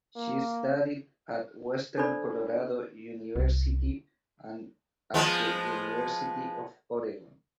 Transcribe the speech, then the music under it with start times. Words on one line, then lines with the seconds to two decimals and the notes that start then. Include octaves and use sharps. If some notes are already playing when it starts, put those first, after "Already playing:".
She studied at Western Colorado University and at the University of Oregon.
0.16 A#3
1.97 D4 A4 A#4 C5 D5 B5
3.36 C2
5.14 F3 G#3 B3